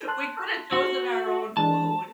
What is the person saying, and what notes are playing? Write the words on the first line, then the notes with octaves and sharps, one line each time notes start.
We coulda chosen our own food,
A5 C6 F#6
F#4
E3 G#3 D4 A5